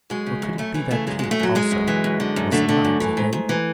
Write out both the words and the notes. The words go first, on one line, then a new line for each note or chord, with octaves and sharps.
Or could it be that Kate, also, was lying to him?
F#2 G#3
C#3
F#2
F#2 A3
E3 A3
C#3 A3
F#2 G#3
F#2 G#3
A3
F#2 F#3
F#2 G#3
F#2
E3
F#2
D3
F#2
D3 A3
D3
F#2
E3
G#2
G#2
E3